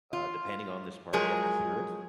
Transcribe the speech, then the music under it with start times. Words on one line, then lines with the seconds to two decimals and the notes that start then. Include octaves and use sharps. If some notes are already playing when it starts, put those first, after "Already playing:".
uh, depending on this part, they have to hear it,
0.13 F4
1.13 F3 F#3 G#3 G#4 A#4